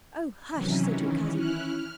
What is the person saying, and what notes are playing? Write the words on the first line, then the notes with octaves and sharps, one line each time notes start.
"Oh, hush!" said her cousin.
C3 D#3 E3 F#3 C#4
D#3 E3 C#4
C#4 E4 F6 F#6
F6